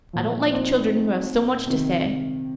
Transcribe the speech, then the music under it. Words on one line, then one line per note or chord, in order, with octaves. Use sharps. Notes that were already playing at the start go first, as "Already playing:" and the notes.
I don't like children who have so much to say.
A#2 F3
C4 D#4
C3 D#3